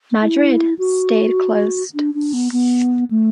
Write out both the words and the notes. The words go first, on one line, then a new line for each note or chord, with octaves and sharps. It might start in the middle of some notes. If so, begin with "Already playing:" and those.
"Madrid" stayed closed.
E4
F#4
D4
D4
B3
B3
A3